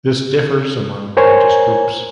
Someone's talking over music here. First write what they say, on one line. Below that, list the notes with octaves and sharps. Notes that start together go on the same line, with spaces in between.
This differs among religious groups.
A#4 C5 C#5 G#5